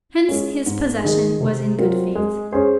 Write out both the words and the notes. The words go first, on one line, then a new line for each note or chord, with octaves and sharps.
Hence his possession was in good faith.
G#3 C#4
G#2
D#3 G#3 D#4 G#4
C3
F#3 C4 F4 A#4
G#3
C#4 G#4 C5